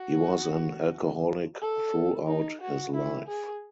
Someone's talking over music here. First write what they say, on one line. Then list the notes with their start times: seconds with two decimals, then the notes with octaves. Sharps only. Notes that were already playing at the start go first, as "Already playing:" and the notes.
He was an alcoholic throughout his life.
Already playing: F#4
1.62 A4
2.27 D#4
2.61 F#4
2.94 E4
3.27 G#4